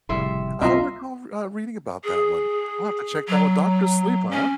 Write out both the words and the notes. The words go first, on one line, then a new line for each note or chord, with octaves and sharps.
I don't recall, uh, reading about that one. I'll have to check that o Doctor Sleep, huh?
F1 A2 C#3 G3 E5 C6
B1 C4 F4 D#5 E5 A#5 C6
G#4
F#3
C#4